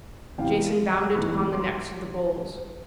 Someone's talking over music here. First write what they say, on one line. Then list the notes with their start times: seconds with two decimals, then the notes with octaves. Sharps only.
Jason bound it upon the necks of the bulls.
0.38 E2 C3 E3 G3 F5 G5
1.14 G#2 E3 G#3 B3 B5 C#6
1.52 C6 D6